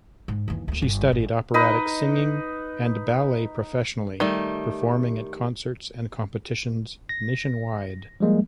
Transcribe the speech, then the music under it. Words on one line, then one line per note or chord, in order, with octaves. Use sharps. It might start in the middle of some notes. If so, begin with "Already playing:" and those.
She studied operatic singing and ballet professionally, performing at concerts and competitions nationwide.
G#2
D#2 E3
D2 A#3
G1
G#1
D#4 B4 D#5
D#3 G3 A3
A#6
F3 G3 G#3 A#3